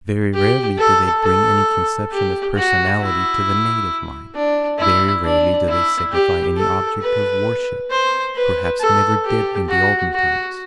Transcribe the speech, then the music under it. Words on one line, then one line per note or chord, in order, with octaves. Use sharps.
Very rarely do they bring any conception of personality to the native mind, very rarely do they signify any object of worship, perhaps never did in the olden times.
G4
A4
A4
G4
F#4
E4
D4
E4
D4
E4
G4
A4
B4
C5
B4
A4
G4
F#4
F#4